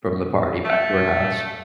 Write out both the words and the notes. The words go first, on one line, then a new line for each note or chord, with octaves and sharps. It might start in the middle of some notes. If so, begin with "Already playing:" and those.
from the party back to her house,
A3